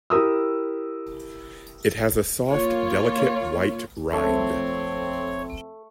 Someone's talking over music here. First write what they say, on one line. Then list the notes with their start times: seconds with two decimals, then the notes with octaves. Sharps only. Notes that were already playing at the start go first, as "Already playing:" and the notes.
It has a soft, delicate white rind.
0.10 E4 G4 A#4 D#6 E6
2.49 A#3 F4 C#5
4.13 F2 A3 C4 A4 C#5